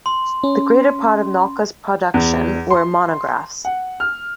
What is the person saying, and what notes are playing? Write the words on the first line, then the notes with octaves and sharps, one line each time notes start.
The greater part of Nauka's production were monographs.
C6
C#4
E2
C6
F#5
F6